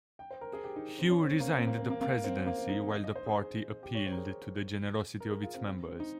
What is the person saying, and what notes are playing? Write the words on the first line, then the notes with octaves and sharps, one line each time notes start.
Hue resigned the Presidency while the Party appealed to the generosity of its members.
G5
C5
A#4
G#4
G4
D#4
C4
C#4
C#4
C4
A#3
C4
A#3
C4
A#3
A#3
C4
A#3
C4
D#4
D#5
D#5
C5
G#4
G4
C#5
C5
A#4
G#4
A#4
G#4
F4
C4
C4
C4
D#4